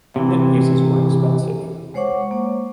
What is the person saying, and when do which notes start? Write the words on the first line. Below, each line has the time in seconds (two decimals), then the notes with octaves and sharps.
Cabinet pieces were expensive.
0.16 C3 E3
1.94 G#3 C5 C#5 F#5 C#6 D6
2.31 A#3